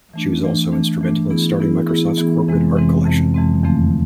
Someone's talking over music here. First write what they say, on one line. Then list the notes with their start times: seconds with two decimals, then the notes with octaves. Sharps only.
She was also instrumental in starting Microsoft's corporate art collection.
0.14 E3 A3 D4
0.43 E3 A3 D4
0.72 E3 A3 D4
1.01 E3 A3 D4
1.30 E3 B3 E4 G#4
1.60 E3 B3 E4 G#4
1.89 E3 B3 E4 G#4
2.18 E3 B3 E4 G#4
2.47 F2 C3 E3 G#3 C4
2.76 F2 C3 E3 G#3 C4
3.05 F2 C3 E3 G#3 C4
3.34 F2 C3 E3 G#3 C4
3.63 E2 D3 F3 A3 C4